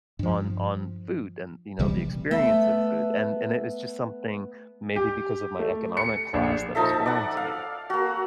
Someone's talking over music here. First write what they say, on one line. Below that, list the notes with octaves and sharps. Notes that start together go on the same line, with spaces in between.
on on food and, you know, the experience of food, and and it it's just something- maybe because of my economic class- that was foreign to me.
G2 F3
A#1 C3 E3 G3
A3 B3 E5
G4
A3
C#7
A#1
F3 D#4 A4 E5
D5 F#5
F5
A#3 F#4